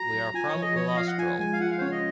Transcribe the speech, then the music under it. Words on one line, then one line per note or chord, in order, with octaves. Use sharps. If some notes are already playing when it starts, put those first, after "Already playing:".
We are from Ullastrell.
Already playing: F#4 A#5
F#3
F4 G#5
C#5
F3
D#5
F3 C#5
D#5
F4 F5
F#5
F4 G#5
G#3 G#5
F5
F4 F#5
F5
C5
C#4 C#5
D#5